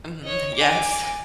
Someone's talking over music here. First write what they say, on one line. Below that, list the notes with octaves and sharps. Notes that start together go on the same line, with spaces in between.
Mhm. Yes.
C#5 D#5
G#5 D6